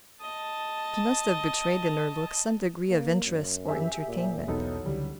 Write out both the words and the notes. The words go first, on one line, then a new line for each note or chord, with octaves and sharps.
She must have betrayed in her look some degree of interest or entertainment.
D#5 A5
A#3
F#2
G4 G#4 E5
A#2
E1 B1 E2 F#3 B3 D#4 A4
C#2 D3 E3 G3